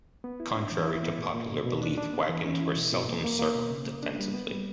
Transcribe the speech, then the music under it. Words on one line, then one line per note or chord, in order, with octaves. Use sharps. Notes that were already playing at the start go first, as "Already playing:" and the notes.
Contrary to popular belief, wagons were seldom circled defensively.
B3
E4
D4
E3
E4
B3
A#2
A#2
B2
B2
D4
D4
B3
E3
C#4
E4
B2
B2
A#3
A#3
A#3
B2
C#3
A#3
D4
G3
B3
G3